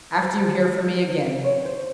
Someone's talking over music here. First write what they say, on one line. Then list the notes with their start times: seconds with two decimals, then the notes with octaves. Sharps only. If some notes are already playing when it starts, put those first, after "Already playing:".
After you hear from me again.
0.22 C5
1.44 C#5
1.65 C5